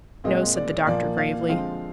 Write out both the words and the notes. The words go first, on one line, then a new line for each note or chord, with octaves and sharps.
"No," said the doctor gravely.
A#2 G#3 C4 D#5
D5
A#2 F3 A#3 D5
F5
D3 F3 G#3 C4 F5